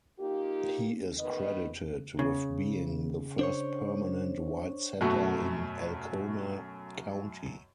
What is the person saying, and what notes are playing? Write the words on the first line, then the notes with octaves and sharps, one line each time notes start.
He is credited with being the first permanent white settler in Alcona County.
A#3 D#4 F4 G4
D#3 B3 B4 D#5
C#3
D4 C5 C#5
F#2 B2 A3 F#4